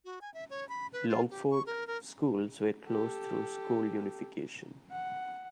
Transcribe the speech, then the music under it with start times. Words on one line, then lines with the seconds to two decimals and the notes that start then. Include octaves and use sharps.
Longford schools were closed through school unification.
0.05 F#4
0.21 G#5
0.34 E5
0.50 C#5
0.69 B5
0.93 B4
1.09 F4
1.30 G4
1.51 C#6
1.66 A#4
1.87 A#4
2.87 G4 A4
4.91 F#5